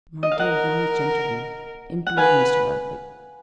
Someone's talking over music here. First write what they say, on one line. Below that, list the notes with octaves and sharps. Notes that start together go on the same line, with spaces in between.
"My dear young gentleman!" implored Mr. Elphick.
D#5
F5
A#4 D#5 F#5
F#5
B4 F5 G#5